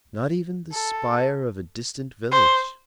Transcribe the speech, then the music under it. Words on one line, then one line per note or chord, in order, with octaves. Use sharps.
Not even the spire of a distant village.
A4
C5